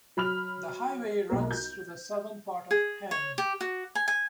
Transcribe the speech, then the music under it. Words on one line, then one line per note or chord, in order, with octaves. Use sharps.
The highway runs through the southern part of Hemne.
F#3 B5 F6 F7
B1 A#3 A#4
G6
G#4
C#5
G4
F#4
G#5
G#5